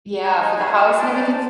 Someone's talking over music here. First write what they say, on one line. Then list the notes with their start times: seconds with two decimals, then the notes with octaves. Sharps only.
yeah, for the house and everything.
0.23 D#4 G#5
0.57 A3 B3 C#4 F#4 G#4 B4
0.98 C#4 D#4 G#4 C5 D5 A5